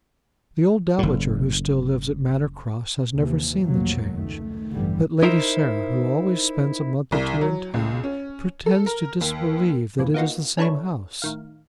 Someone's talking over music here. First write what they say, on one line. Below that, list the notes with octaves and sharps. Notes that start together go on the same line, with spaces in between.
The old Dowager who still lives at Manor Cross has never seen the change, but Lady Sarah, who always spends a month or two in town, pretends to disbelieve that it is the same house.
F#1 A2
D#2 C3 E3
F1 B1 F2 C3 F#3 A#3
C#2 D#3 A3
A1 E2 G2 D3 E3 G3
D#4 E4 A#4 C5 D5 E5
C2
F#3
C#2
C#4
A4
A#4
D#2
F2 A#2 E3
A#3 B3 D#4 F4 F#4
C#4 D4 E4 A4 B4 C#5
A2 D#3 F5